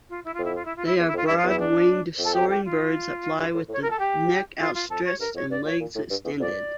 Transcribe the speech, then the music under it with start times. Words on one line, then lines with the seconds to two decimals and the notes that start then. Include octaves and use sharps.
They are broad-winged soaring birds that fly with the neck outstretched and legs extended.
0.09 F4
0.24 E4
0.33 F4
0.38 F2
0.44 E4
0.55 F4
0.65 E4
0.76 F4
0.85 E4
0.96 E2 F4
1.06 E4
1.14 F2 F4
1.26 G2 E4
1.37 F4
1.43 E2 E4
1.59 D4
2.19 F2 A4
2.34 G4
2.49 G4
2.64 F4
3.39 G2
3.54 A2
3.69 A2
3.72 C#5
3.81 A#2 A#4
3.90 A4
3.99 G4
4.60 F2 F4
4.74 F4
4.89 F2 A4
5.04 C#5
5.19 G2 A#4
5.34 F2 C#5
5.50 G2 D5
5.64 A#2 C#5
5.80 A#2
5.95 A2
6.10 G2
6.24 E2
6.40 F2 D5